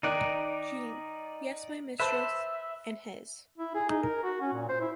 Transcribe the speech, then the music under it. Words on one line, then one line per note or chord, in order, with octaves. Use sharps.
Jean. — Yes, my mistress... and his.
D#3 D#4 D5 F#6
B4 C5 E5 A5
E4
G#4
D#4
A#4
F#4
C#4
A#2
C5
E4